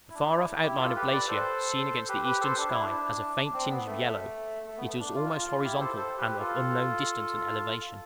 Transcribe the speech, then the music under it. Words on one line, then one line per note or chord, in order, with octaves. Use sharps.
The far-off outline of glacier, seen against the eastern sky, has a faint tinge of yellow; it is almost horizontal, and of unknown distance and elevation.
E4
D4
E4
E4 G4
F4 A4
G4 B4
B4 D5
A4 C5
G4 B4
G4 B4
A4 C5
D4
E4
D4
D4
C4
B3
A3
A3
B3
A3
D4
F4
F4
F4
E4 G4
A4 C5
A4 C5
G4 B4
F4 A4